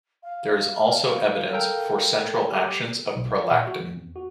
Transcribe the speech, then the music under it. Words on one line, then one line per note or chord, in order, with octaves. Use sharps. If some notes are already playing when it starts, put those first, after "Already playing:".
There is also evidence for central actions of prolactin.
F5
A4 A#4 G5
G4
B1
F5
A#2
F#4
F2
E2
F#4